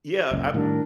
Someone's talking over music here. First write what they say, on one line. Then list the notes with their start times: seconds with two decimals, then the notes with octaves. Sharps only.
yeah, I
0.31 F#1 C#2 A#2
0.54 A2 D#3 G3 D4 A#4